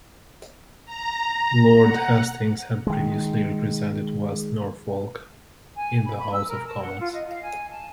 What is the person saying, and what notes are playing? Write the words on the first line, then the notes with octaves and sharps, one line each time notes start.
Lord Hastings had previously represented West Norfolk in the House of Commons.
A#5
F#5
D#3 G#3
G#5
B5
B5
E6
A#4
A5
F#5
F4
D#5
F5
G#5
A5